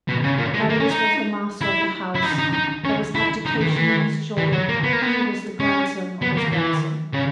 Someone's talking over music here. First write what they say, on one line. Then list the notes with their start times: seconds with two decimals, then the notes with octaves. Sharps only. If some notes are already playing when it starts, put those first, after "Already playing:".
Marius was the master of the house, there was abdication in his joy, he was the grandson of his grandson.
0.08 B2
0.24 C#3
0.38 A#2
0.54 G#3
0.70 A#3
0.80 C#4
0.90 D#4
1.61 E4
2.15 E4
2.23 D#4
2.39 D#4
2.53 D#4
2.85 C#4
3.15 E4
3.46 D#4
3.61 E3
3.76 E3
4.38 E3
4.52 F#3
4.69 A#3
4.83 B3
4.93 A#3
5.02 B3
5.60 C#4
6.22 B3
6.37 A#3
6.52 E3
7.13 C#3